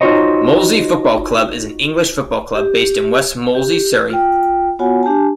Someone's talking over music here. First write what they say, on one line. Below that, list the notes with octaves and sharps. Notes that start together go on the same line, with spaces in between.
Molesey Football Club is an English football club based in West Molesey, Surrey.
D#4 F4 F#4 C5 C#5 D#5
G4
G4
F4 G5
B3 F4 F#4 C#5 F#5 G#5
D4 G4 G#5 A5